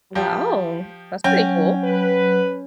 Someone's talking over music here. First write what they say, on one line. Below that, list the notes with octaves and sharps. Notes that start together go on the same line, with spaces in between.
Wow, that's pretty cool.
F3 G4
F#3 C#4 G5 G6
B4